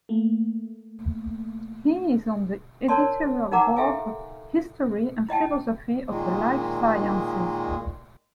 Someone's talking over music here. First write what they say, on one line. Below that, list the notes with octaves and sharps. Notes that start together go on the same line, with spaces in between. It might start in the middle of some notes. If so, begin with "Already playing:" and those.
He is on the editorial board of "History and Philosophy of the Life Sciences".
A3 A#3
A#4 C#5 D5 A5 C6
D#4 A#4 F#5 A#5 D6
G4 A4 E5 F5 G#5
E4 D#5 G5 A5
A#2 D#3 G#3